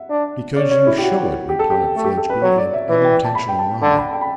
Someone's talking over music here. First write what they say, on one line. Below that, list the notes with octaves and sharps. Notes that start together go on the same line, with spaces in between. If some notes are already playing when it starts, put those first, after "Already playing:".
'Because you show it,' replied Fledgeby in unintentional rhyme.
Already playing: E5 F#5
D4
C#4 D5
C#5
E4
G4
F#4
G4
A4
G4
A3
G4
A4
B4
F#3 C#5
D5
E5
E3 E5
G5
A5
B5
G5
A5
D3 A5
B5
G5
B5